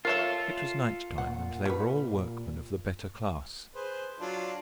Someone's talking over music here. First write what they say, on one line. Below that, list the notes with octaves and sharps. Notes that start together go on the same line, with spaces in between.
It was night-time, and they were all workmen of the better class.
F4 A4 A#4 C#5 E5
A#2 F#5
G3 B4
G#4 B4 C5
F#3 D4 F4